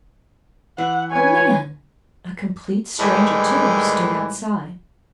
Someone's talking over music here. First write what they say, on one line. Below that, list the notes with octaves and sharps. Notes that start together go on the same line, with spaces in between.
A man--a complete stranger to her--stood outside.
E3 F#5
B4 C#5 G#5
A2 D#3 E3 G3 G#3